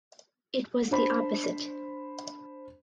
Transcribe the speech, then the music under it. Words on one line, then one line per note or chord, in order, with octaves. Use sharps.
It was the opposite.
D4 C5 B5